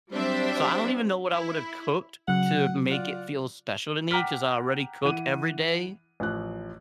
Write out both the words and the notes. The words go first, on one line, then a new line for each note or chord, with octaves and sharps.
so, I don't even know what I would've cooked to make it feel special to me 'cause I already cook every day.
F#3 G3 C4 D4 C5 E5
E4
C#3 F#3 F#5
F4 D5 F#5
F#5 G5 A#5 D6 F6 B6
E3 F#5 D#7
A1 F3 F#6